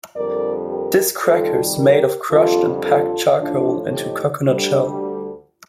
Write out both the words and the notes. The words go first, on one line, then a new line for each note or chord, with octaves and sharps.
This cracker is made of Crushed and packed charcoal into Coconut shell.
F2 D3 G3 A#4 D5
G4 A#4
F2 D#3 G3 F4 A4
G4 A#4
F2 D3 G3 F4 A4
F4 A4
A2 F3 D4 F4
D#4 G4
D2 D3 G3